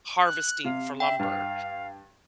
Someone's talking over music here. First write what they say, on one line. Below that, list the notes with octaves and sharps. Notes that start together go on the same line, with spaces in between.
harvesting for lumber.
F#6
C3 F5
E5 G5
G2 F5